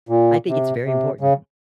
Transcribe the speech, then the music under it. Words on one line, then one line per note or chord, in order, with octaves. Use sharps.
I think it's very important.
A#2
C3
C3
C#3